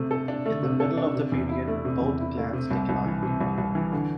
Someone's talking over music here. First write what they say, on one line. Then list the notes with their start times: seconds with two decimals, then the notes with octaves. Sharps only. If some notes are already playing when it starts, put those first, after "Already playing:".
In the middle of the period, both clans declined.
Already playing: C3 A3
0.11 A4
0.28 D4
0.46 A3
0.63 C3
0.80 A4
0.98 D4
1.15 C3
1.32 E2
1.49 E4
1.68 A3
1.85 C3
2.01 E2
2.20 E4
2.37 A3
2.53 C3
2.71 C2
2.89 C2
3.06 E3
3.23 C3
3.41 C2
3.58 C2
3.75 E3
3.92 D3